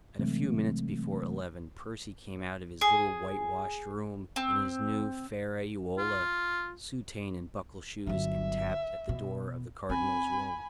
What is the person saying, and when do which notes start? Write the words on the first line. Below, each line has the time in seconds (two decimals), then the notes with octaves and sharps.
At a few minutes before eleven Percy came out of his little white-washed room in his new ferraiuola, soutane and buckle shoes, and tapped at the door of the Cardinal's room.
0.19 C3 E3 F#3 G#3 A3 C4
2.81 G#4
4.36 C4
5.98 F4
8.07 G1 F#3 E5
9.09 B2
9.90 C4 G#5 B5